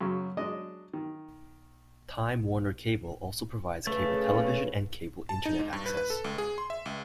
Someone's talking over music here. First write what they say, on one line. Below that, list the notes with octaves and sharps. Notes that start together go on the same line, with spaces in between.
Time Warner Cable also provides cable television and cable Internet access.
F#2 C#3 F#3
F#3 G#3 D4 D#5
D#3
C#3 A3 B4
A5
D#4
G#2
G2
B4
B4
A4
C#2
G#4
C6
E5
C#2